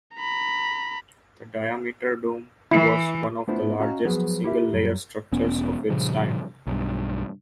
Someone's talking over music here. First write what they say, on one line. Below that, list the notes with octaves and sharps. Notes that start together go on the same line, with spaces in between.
The diameter dome was one of the largest single-layer structures of its time.
A#5 B5
E3 E4
A3 B3 D4 E4 F4 C5
C#4 F#4 D#5 F5 A5 A#5
F3 F#3 B3 F#4 G#4 B4
E4 G4 A#4 E5
F#2 G3
E1 B3 C#4
G2 A#2 C#3 F3
B1 G2